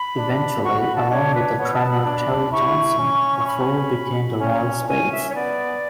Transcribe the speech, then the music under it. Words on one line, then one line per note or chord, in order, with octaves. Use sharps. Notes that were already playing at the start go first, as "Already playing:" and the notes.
Eventually, along with the drummer Terry Johnson, the four became the Royal Spades.
Already playing: B5
D4
F#4 C#6
B5
A5
D4 C#5
B4
B3 C#5
A5
B5
D4
E4 C#6
C#4
C#6
B5
C#4
C#4 G#5
E5
C#5
B3 D5